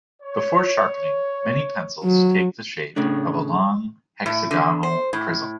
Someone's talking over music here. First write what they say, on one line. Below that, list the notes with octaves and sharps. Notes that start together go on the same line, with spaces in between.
Before sharpening, many pencils take the shape of a long hexagonal prism.
C#5
F#3
A2 C#3 A3 D4
A2
D3
C5
A2